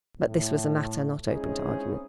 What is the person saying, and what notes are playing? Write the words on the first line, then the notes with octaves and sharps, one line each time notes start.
But this was a matter not open to argument.
A2
G#3 C4 C#4 D#4 E4 G#4